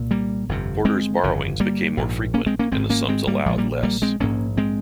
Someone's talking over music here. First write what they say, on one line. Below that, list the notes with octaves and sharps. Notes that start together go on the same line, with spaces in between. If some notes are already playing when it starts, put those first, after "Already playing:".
Porter's borrowings became more frequent, and the sums allowed less.
Already playing: C2 A#2
G3 A#3
G1 F2 C3
G#3 C4
G1 F2 C#3
G3 A#3
A#1 G#2
A#3 C#4
G#3 C4
A#3 C#4
G#1 G#2 G#3 C4
A#3 C#4
G#3 C4
G3 A#3
A#1 A#2 F3 G#3
G3 A#3
G3 A#3
G#3 C4
A#1 G#2 A#3 C#4
G#3 C4